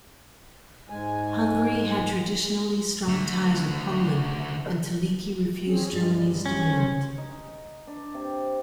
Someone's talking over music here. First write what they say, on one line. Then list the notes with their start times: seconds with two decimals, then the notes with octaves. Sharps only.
Hungary had traditionally strong ties with Poland, and Teleki refused Germany's demand.
0.90 G#2 G#3 G#5
3.08 D3 A3
5.66 C4 C#4 G#4
5.92 G2 G3 G#3
6.46 C#4
6.66 F#3 C5
7.18 D#4
7.87 D4
8.14 C3